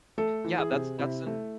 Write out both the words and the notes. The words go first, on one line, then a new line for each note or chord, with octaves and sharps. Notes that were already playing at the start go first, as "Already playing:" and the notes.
Yeah, that's that's an
A3 A4
E3
G#4
C3
C3 E4
A3